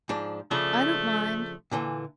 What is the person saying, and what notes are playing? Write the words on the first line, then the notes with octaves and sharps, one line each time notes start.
"I don't mind."
G#2 F3 D4
C#3 F3 A3 D4
A#2 D3 E3